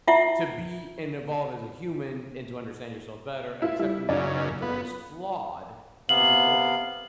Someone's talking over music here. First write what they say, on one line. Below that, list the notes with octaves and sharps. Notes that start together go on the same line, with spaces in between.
to be and evolve as a human and to understand yourself better, accepting that character is flawed is important.
E4 F4 E5 F#5
E4 F4
G3 E4
F#2 C#3 D#4 D5
B3 F4
C3 B3 F5 F#7